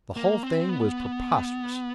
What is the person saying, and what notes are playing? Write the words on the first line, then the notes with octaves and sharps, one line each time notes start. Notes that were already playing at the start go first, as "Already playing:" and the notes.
The whole thing was preposterous....
A#3
C4
B3